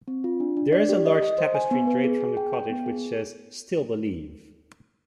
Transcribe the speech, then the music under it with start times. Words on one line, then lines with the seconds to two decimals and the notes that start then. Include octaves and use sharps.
There is a large tapestry draped from the Cottage which says "Still Believe".
0.08 C4
0.24 F4
0.40 D4
0.57 D4
0.73 D5
0.89 G4
1.06 D#5
1.22 D#5
1.38 C5
1.55 G#5
1.71 B3
1.87 B4
2.04 G#4
2.21 G#4
2.37 G5
2.53 G5
2.70 B3
2.86 G#4